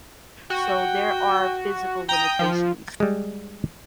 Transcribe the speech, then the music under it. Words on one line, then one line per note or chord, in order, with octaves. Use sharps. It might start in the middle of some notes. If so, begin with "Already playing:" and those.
so, there are physical limitations
F#4 G5
G5 A#5 D#6
F3
G3 G#3